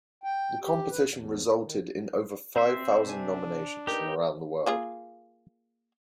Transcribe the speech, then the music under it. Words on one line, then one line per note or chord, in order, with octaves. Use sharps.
The competition resulted in over five thousand nominations from around the world.
G5
G4
B4
E2
D#3
C4 C5 E5
C3 D4 G#5
D#4 G4 A#4 B4
A#3 F4 G#4